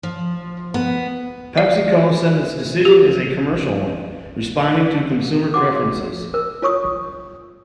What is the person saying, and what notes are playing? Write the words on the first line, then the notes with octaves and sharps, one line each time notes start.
PepsiCo says its decision is a commercial one - responding to consumer preferences.
F3
B3
D5
G4
F#4 F#5 D6
A#4
F4 C#5 C#6 D#6